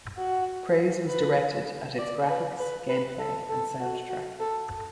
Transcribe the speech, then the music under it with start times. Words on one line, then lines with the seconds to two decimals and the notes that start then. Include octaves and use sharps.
Praise was directed at its graphics, gameplay, and soundtrack.
0.18 F#4
1.08 B4
1.99 D5
2.29 B4
2.59 B4
2.89 B4
3.19 A4
3.50 A4
3.80 F#4
4.10 F#4
4.40 A4